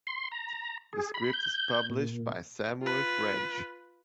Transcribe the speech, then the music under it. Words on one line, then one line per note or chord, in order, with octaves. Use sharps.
The script is published by Samuel French.
C6
A#5
G#4
B5
G6
A#2
F4 B4